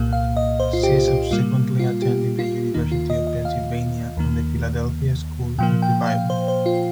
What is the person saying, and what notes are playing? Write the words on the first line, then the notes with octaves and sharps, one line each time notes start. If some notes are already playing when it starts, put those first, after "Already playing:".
She subsequently attended the University of Pennsylvania and the Philadelphia School of the Bible.
Already playing: C2 A#2 A#3
F5
D#5
C5
F4
G4
G4
A#2 G3 A#3 F4
F4
G4
F4
D#2 D#3 A#3 D#4
F4
D#5
D#5
F5
D#2 D#3 A#3
A#2 F3 A#3 G5
G5
F5
C5
C5
F4